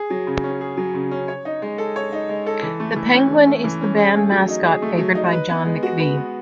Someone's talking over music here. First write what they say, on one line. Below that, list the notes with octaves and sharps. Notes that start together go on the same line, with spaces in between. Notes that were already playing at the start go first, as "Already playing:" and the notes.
The penguin is the band mascot favoured by John McVie.
Already playing: G#4
F#3
C#3
C#4
G#4
F#3
C#3
C#4
C#5
D#4
G#3
A4
C#5
D#4
G#3
A4
E3
A3
E3
C#4
E3
A3
E3
C#4
G#4
A3
F#3
D#4
G#4
A3
F#3
D#4
B4
B3
G#3
F#4
B4
B3